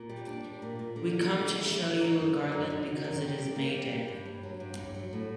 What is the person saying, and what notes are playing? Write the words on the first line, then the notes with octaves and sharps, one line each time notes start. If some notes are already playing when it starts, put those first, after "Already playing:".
We come to show you a garland because it is May Day.
Already playing: A#2
G3
D4
G3
A#2
A#2
D3
D3
D3
A3
D3
D3
D#4
F#2
F#3
D#4
F#2
F#3
D#3
G3
G3
A#3
G3
A#3
G2
G2
F#3
G2
G2
F#3
A2